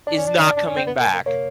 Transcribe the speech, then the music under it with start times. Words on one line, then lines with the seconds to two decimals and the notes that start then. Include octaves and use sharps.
is not coming back.
0.07 D4 D5
0.18 C#4
0.27 D4
0.36 C#4
0.46 D4 D5
0.57 D4
0.67 C#4
0.76 C4
0.87 B3
1.00 A#3
1.13 A#3
1.26 A#3 C#5